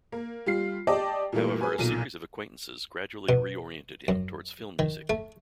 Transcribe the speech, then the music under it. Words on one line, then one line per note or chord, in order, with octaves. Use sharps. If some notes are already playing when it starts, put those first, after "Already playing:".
However, a series of acquaintances gradually re-oriented him towards film music.
A#3
G3 F4 C7
G4 D5 D#5 G5 A5 D6
A#2 E3 G3 A3 A#3
G#4 B4 G#5
B1 A#2 D#7
B2
F#2
D#3
A3